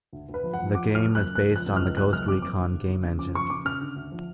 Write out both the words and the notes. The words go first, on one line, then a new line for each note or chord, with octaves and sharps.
The game is based on the "Ghost Recon" game engine.
D2
D2
B4
F3
F#5
F3
F3 D6
F3 F6
F#1
F#6
F#2
C#2 F#6
F3 F#6
C#2
F6
C#2
F#1 F#6
F#1 F6
F2 D6
F#1 D6
D2
D2
C#3
C#3
F3 D6
F3 C#6
C#3 D6
C#3 F6
D3
D2
F3